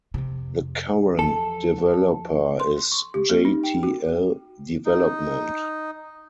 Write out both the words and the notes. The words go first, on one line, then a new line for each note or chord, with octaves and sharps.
The current developer is J-T-L Development.
F2 C3
E2 F3 A4
C6
C#6
G4
A#3
D#4
G5
F#4
D#4